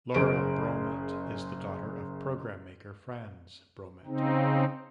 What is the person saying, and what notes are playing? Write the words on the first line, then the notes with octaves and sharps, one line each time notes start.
Laura Bromet is the daughter of program maker Frans Bromet.
F#1 G#4 A#4 C5 D7
C#3 C4 D#4